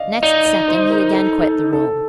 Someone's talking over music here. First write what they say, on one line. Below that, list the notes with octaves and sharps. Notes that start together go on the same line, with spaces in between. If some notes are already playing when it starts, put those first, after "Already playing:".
Next second he again quit the room.
Already playing: D5 D#5 F5
D#4 D5
D5
C5
A#4
A4
A4
A4